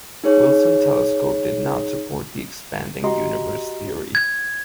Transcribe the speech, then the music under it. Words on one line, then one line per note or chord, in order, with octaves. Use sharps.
Wilson telescope did not support the expanding universe theory.
D#4 G#4 C#5
F#4 G4 D#5 A#5 C6
G#6